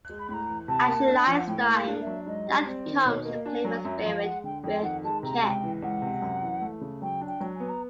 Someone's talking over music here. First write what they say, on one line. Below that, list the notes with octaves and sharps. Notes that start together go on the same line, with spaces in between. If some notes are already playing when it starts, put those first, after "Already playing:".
As she lies dying, Death comes to claim her spirit with a kiss.
G#3
B5
A2 A#5 B5
E3
C3 A5
A#3
D4
F3
F#5
A2 G5
A#3
F5
D4
E5
F#3
G#2 D#5
G3
C4 D5
D#3
B2 C#5
A#3 D#5
D4 G#5
F#3 G#5
F#2 E5
F3 F5
G5
G#3 F#5
D3 G5
F2 G5
D#3 F#5
G#3 A5
C3 A#5
C#2 G5 G#5
E3
C#2 F#5
C3
F#2
E3
A3
C#3
F#3 G5
D4
G5
F#3
G#5
B3
A#5